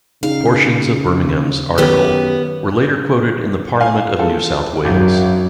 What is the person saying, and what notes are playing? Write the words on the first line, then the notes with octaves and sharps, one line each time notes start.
Portions of Birmingham's article were later quoted in the Parliament of New South Wales.
C#3 D#4 G#4 F5
F#2 D#3 B3 G4 B4 C#5
F5 G#5
G#3 F4 A4
G#1 F#2